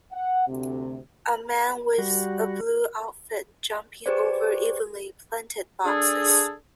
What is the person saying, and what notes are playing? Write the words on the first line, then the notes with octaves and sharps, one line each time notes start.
A man with a blue outfit jumping over evenly planted boxes.
F#5
D2 C3
G3 F#4
G4 G#4 B4 C5 D5
D4 G#4 A4